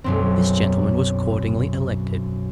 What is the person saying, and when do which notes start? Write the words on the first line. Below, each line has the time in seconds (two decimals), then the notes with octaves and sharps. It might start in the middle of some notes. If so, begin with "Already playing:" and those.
This gentleman was accordingly elected.
0.04 B1 F#2 C4